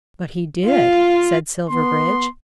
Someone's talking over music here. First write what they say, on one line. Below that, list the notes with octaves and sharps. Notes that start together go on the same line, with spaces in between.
"But he did," said Silverbridge.
F4
B3 C6